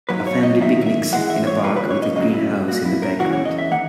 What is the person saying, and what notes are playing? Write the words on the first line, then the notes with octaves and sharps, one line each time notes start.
A family picnics in a park with a greenhouse in the background.
G#2 F#3 A#3 B4
C#5
D#5
F#2 D#3 A#3 E5
E5
G#2 E3 G#3 F#5
E5
C#5
B1 A#2 A#3 B4
B4
C#5
D#5
F#2 C#3 F#3 A#3 D#5
E4
A#2 A#3 F#4
E4
A#4
C#2 C#3 E3 A#3 F#4
C#5
D#5
E5
D#3 A#3 F#5